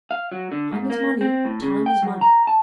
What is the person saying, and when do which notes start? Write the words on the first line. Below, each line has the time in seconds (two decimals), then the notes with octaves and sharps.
Time is money, time is money.'
0.11 F5
0.32 F#3
0.52 D3
0.72 G#2
0.90 A#3
1.21 C4
1.45 A2
1.62 C#3
1.86 G5
2.02 F#3
2.21 A#5
2.47 A5